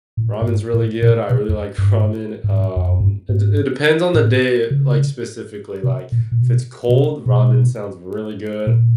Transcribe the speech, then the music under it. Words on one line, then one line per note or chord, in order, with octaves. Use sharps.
ramen's really good, I really like ramen, um, it d it depends on the day, like, specifically, like, if it's cold, ramen sounds really good,
A2
A2
G#2
A2
A#2
B2
F2
G2
G#2
G#2
F2
F#2
G2
G#2
A2
C#3
C3
A#2
A#2
B2
B2
C3
B2
A#2